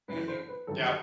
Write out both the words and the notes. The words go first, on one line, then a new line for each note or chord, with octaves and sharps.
Mhm, yeah.
F#1 F#2 E3 B4
C5
B4
G1 F#2 D#3 A4
G4